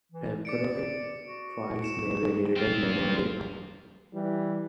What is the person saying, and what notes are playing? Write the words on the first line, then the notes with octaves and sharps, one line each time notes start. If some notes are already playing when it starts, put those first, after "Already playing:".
Temporary files may be deleted manually.
E3
D5 D6 C#7 D7
F#4
C#7 E7
C4 F4
E3 G3